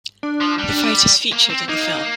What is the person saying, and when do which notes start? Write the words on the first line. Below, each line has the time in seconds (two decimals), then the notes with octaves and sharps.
The fight is featured in the film.
0.23 D4
0.41 F3
0.59 G3
1.32 A#3
1.50 C4
1.69 A#3 D#4